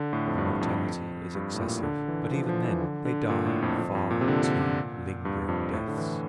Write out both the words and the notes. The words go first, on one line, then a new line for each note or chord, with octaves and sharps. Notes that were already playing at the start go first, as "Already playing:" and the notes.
The mortality is excessive, but, even then, they die far too lingering deaths.
Already playing: D3
A2
F2
G2
F2
G2
A2
A#2
D3
E3
F3
F3
E3
D3
D3
A#2
A2
F2
F2
F2
A#2
C3
D3
D3
A#2
G2
F2
A2
D3
E3